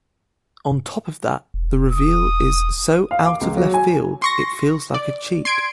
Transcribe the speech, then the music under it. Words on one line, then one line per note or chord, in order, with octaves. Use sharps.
On top of that, the reveal is so out-of-left-field, it feels like a cheat.
E1
D#6
F5
D6
C#2
F#3
G#5
C6 C#6 A#6
D5
C6 G#6 D7